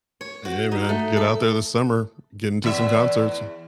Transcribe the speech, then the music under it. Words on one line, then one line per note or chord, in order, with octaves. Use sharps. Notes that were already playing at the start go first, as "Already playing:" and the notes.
H hey, man, get out there this summer. Get into some concerts.
C#5
F#4
D#4
A3
A4
E2 E5